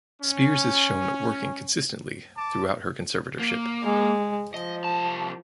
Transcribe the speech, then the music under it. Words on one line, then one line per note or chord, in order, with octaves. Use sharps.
Spears is shown working consistently throughout her conservatorship.
C#4
A5 D6
A#3
G#3
F3 D#5
C2 A5